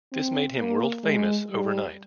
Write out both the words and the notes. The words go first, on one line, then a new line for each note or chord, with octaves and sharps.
This made him world-famous overnight.
C4
A#3
G#3
G3